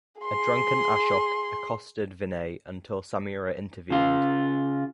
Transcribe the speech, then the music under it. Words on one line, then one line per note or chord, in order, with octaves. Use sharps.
A drunken Ashok accosted Vinay until Sameera intervened.
G#4 C6
C#3 F4